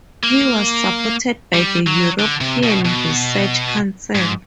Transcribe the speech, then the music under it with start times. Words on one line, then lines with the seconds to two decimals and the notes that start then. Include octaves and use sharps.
He was supported by the European Research Council.
0.23 A#3
1.54 G3
1.87 F#3
2.19 D3
2.41 C3
2.63 B2
2.85 B2
4.15 G#2